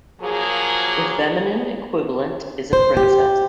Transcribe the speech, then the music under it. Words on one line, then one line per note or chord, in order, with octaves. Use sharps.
The feminine equivalent is a princess.
F3 F#3 A#3 G#4
C5
G4